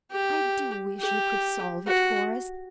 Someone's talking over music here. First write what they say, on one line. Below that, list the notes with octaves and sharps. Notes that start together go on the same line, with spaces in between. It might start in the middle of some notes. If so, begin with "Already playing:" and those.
I do wish you could solve it for us.
G4
G4
F#4